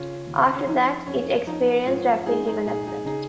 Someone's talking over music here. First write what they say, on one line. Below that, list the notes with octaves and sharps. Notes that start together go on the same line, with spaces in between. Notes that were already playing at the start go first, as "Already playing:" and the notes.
After that, it experienced rapid development.
Already playing: C#3 C#4 F4
D#2
C#4
F3 D#4
F2 C#4
F3 D#4
G#2 C#4 F4
G#3 D#4 G#4
D#4 G#4
A#2 D#4 G#4
D#4 G#4
C#3 D#4 G#4